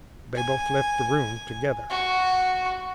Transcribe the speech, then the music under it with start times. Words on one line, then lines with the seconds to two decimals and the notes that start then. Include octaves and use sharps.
They both left the room together.
0.36 G#5
1.90 F#4